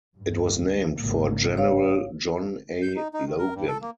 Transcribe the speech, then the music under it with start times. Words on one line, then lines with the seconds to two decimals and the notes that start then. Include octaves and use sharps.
It was named for General John A. Logan.
0.16 D2 G2
0.97 G#1 C#3 A#3
1.57 C#5 F5
2.82 G6
2.96 D#4
3.14 D#4
3.26 D#3
3.38 A#4
3.55 G2
3.67 A4
3.82 A#3